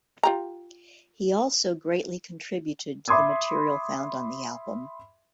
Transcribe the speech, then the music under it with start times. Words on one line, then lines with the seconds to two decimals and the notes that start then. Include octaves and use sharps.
He also greatly contributed to the material found on the album.
0.23 F4 G4 A#5
3.08 E5 B5 C6 D6 D#6 G#6